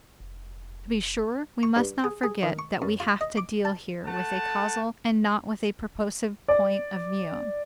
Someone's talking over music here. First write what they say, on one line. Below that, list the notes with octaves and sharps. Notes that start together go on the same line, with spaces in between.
To be sure, we must not forget that we have to deal here with a causal and not with a purposive point of view.
F1
C#6
G2
G#4
G#4
D#3
C#6
F#2
F4
D#5
D6
A5
A3 F#5 A5
D5